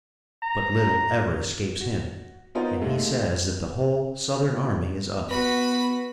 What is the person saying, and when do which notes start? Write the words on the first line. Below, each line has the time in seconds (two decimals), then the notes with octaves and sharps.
But little ever escapes him, and he says that the whole Southern army is up.
0.43 A#5
1.81 F#4
2.55 B3 D#4 F4 A#4 C5 C#5
2.81 D#2 C3 G#3 A3
5.29 B3 F#4 B4 B5